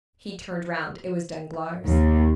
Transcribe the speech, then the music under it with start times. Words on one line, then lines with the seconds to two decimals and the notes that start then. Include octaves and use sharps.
He turned round; it was Danglars.
1.86 D#2